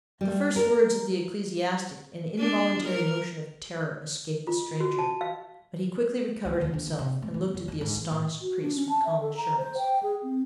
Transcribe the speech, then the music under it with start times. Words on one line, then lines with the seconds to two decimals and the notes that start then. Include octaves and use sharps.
At the first words of the ecclesiastic an involuntary motion of terror escaped the stranger; but he quickly recovered himself, and looked at the astonished priest with calm assurance.
0.21 G3
0.56 A#4
2.38 D4
2.86 A#4
4.47 F4
4.80 F#4
4.99 A5
5.21 F5
6.45 C#2
6.61 D#2
6.73 D3
6.87 A#3
6.99 C3
7.22 A3
7.34 B3
7.54 F1
7.68 F#3
7.81 G#2
7.95 E3
8.11 A2
8.42 F#4
8.62 D4
8.76 C#4
8.89 A5
9.05 E5
9.21 A4
9.37 A#5
9.57 C5
9.78 G5
10.03 G#4
10.23 C4